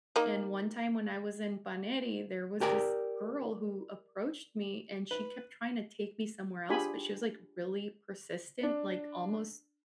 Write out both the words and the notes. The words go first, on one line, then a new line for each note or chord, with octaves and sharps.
And one time when I was in Paneri, there was this girl who approached me and she kept tryna take me somewhere else, but she was, like, really persistent, like almost,
A#3 D#4
G4 A#4 D5 G#5
B4
D4 F4 G4 G#4 G#5 B5
D4